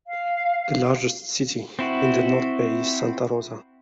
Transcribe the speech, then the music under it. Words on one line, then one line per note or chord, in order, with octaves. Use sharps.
The largest city in the North Bay is Santa Rosa.
F5
C4 E4 F#4